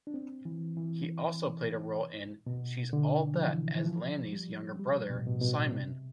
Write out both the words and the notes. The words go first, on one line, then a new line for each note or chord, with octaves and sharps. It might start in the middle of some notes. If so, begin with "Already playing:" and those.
He also played a role in "She's All That" as Laney's younger brother, Simon.
D4
C4
E3
E3
B2
D3
F3
E3
E3
F3
G3
G3
B2
A2
B2
B2
C3